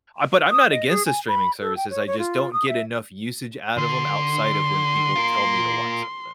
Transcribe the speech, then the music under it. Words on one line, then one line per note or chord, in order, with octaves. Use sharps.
uh, but I’m not against the streaming services, I just don’t get enough usage out of 'em, outside of when people tell me to watch something.
D#6
D#5
G#4
G#5
B5
A4
G5
C#5
C#5
F4
D#6
E5
D3 C6
F4 A#4